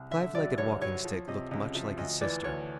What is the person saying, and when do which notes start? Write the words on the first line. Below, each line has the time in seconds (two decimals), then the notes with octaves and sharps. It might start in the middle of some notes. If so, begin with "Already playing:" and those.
The Five-Legged Walking-Stick looked much like his sister.
Already playing: C2
0.11 D3 E5
0.35 F#3 D5
0.58 G2 C#5
0.81 F#3 C#5
1.05 F3
1.28 C3 D#5
1.51 C#2 D#5
1.75 F3 E5
1.97 D2 D#5
2.21 E3 D5
2.44 D2 C#5